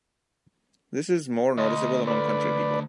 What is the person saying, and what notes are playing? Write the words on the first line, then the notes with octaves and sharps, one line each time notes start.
This is more noticeable among country people.
D2 D#5
B4 D5